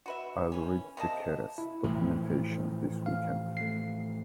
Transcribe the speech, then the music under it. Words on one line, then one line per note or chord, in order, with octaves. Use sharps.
I'll read the Keras documentation this weekend.
F#4 B4 E5
E3 C#4
C3 A#3 D#5 A5
E4
A2 E3 F3
F5
A3 C7